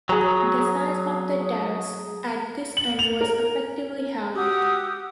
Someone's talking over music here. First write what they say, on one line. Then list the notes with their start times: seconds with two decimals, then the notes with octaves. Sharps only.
The size of the terrace at this end was effectively halved.
0.09 F#3 G#4 A#5
2.77 F#7
2.99 F7
3.21 A#4
4.35 F#4 G4 D#6 E6